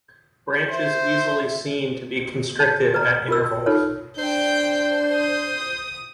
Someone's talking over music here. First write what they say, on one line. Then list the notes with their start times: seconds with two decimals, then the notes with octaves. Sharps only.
Branches easily seen to be constricted at intervals.
0.70 C5 E5
2.60 A5
2.94 B4 A#5
3.28 F4 A#4 E6
3.66 D#4 F4 A4 B4 C#5
4.19 D4 C5 G5 G6
5.16 D#6